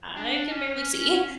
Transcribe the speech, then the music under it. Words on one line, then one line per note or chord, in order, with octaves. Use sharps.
I could barely see.
D4
C#4